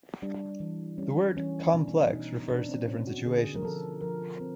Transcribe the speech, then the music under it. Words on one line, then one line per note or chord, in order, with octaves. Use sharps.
The word "complex" refers to different situations.
G3 D4
E3
G3 C#4
E3 C#4
B2 D4
B2 D#4
B2 D4
C4
B2 C#4
F#4
D3 G#4
A#4
F3 A4
F3 A#4
C4